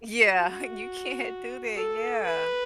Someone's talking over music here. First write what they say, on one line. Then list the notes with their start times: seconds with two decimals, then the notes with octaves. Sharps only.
Yeah, you can't do that, yeah.
0.23 F#4
1.76 A4
2.26 B4